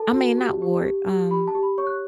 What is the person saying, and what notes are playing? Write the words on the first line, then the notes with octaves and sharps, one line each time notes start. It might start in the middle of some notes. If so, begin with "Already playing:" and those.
I mean, not Ward, um
Already playing: A4 A5
F#4
G4
G4
G4
G4
G4 B5
A5
G4
B5
C#5 C#6
F#6